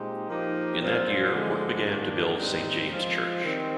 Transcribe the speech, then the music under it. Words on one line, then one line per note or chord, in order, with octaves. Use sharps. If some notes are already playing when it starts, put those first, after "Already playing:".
In that year, work began to build Saint James' Church.
Already playing: A#2 G#3 C4 D#4 G4
F3 A#3 D#4 G4
A#2 F3 C4 F4
D3 F3 G#3
G2 D#3 A#3 D4
G#2 D#3 G3 C4 D#4
F3 G#3 C4 F4
D#3 G3 C4